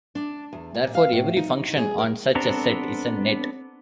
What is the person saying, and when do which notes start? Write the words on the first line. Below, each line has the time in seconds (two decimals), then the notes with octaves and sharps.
Therefore every function on such a set is a net.
0.15 D4
0.53 E2
0.74 A#2
0.95 F5
1.13 A2
1.37 D#4
1.77 G#4
1.98 A#4
2.35 B3 C4 D4 A4 A#5